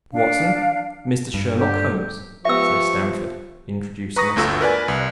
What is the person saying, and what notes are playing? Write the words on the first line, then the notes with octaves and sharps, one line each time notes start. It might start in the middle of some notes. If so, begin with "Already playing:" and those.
"Dr. Watson, Mr. Sherlock Holmes," said Stamford, introducing us.
D4 F5
G2
D3 G4
F3 B3 G4 E5 C#6 E6
B4 A#5 C#6 D#6 A#6
G1 D2 A3 F4 E6
A#4 B4 D5 G#5
C2